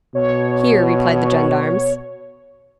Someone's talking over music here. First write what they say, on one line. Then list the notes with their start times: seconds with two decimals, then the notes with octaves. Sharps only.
"Here," replied the gendarmes.
0.15 B2 C#5